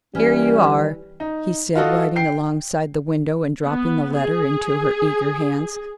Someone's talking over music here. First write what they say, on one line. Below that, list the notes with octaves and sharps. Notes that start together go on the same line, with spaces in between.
"Here you are," he said, riding alongside the window and dropping the letter into her eager hands.
E3 G3 C#4
D#4
F4 F#4 A4 D#5
G5 C7
B3
G#4